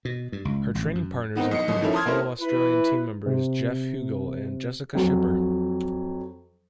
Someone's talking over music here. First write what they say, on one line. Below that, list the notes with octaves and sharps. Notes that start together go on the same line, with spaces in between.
Her training partners included fellow Australian team members, Geoff Huegill and Jessicah Schipper.
B2
G2
C#2
A1
F#2
D#3 B3 C4 D#4
B1 D#5 C7 C#7
G1 F#2 D#5
D#3 F3 A3 C#4 E4
A5 C6 D#6 F6 G#6
A#3 C#4 E4 A4 C5
E4 B4
C3
F2 F#3